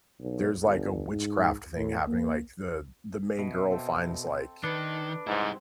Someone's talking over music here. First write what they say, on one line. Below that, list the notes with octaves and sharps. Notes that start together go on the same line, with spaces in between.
there's, like, a witchcraft thing happening." Like, the the main girl finds, like
B1
G1
G#2
A2
A#3
B2 E5
C4 A4 G5
D#3 D4 B4
G#2 G3 C4 E4 F#5